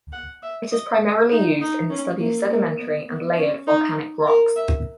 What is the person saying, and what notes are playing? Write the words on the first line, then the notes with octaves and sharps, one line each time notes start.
It is primarily used in the study of sedimentary and layered volcanic rocks.
F#5
E5
D#5
D#4
D#4
C#4
A#3
A#3
B3
B3
C#4
D#4
A#4
E5